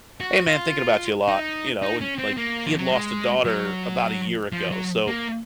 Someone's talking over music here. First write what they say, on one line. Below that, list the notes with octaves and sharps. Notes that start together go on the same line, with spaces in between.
"Hey, man, thinking about you a lot," you know, and like, he had lost a daughter about a year ago, so,
F#4
F4
D#4
D#4
C#4
C4
A#3
F3
F#3
G#3
F#3
F3
F#3
A#3